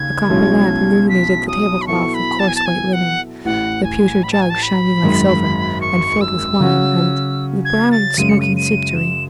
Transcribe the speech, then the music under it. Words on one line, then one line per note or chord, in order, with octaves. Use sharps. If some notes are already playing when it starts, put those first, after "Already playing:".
A copper lamp illuminated the tablecloth of coarse white linen, the pewter jug shining like silver, and filled with wine, and the brown, smoking soup-tureen.
Already playing: D#2 C#3 G#6
B1 B2 G#3 C#4 E4
B6
D#6
B5
B2 F#3 B3 E4 A4 C#6
B5
A5
G#5
A5
G#5
F#5
A1 A2 E3 F#5
G#5
B5
A5
G#5
A5
B5
G#1 F#2 D#3 G#3
C#6
E6
C#3 F#3 C#4 F#4
G#6
A6
F#2 C#3 G#3 C#4 D#7
C#7
D#7
D#7
E7